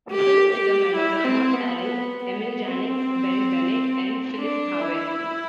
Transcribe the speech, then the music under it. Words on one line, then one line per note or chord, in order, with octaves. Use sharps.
The film is a melodrama starring Emil Jannings, Belle Bennett, and Phyllis Haver.
G4
G4
E4
C4
B3
B3
B3
C4
D4
E4